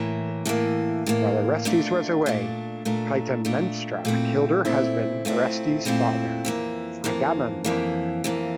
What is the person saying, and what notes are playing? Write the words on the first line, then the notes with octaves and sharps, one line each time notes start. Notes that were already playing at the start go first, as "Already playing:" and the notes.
While Orestes was away, Clytemnestra killed her husband, Orestes' father Agamemnon.
Already playing: A2 E3 A#3
A2 E3 A#3
A2 E3 A#3
A#2 A3 D4
A#2 A3 D4
A#2 A3 D4
A#2 A3 D4
A#2 A3 C4 E4
A#2 A3 C4 E4
A#2 A3 C4 E4
A#2 A3 C4 E4
F2 E3 A#3
F2 E3 A#3
F2 E3 A#3
F2 E3 A#3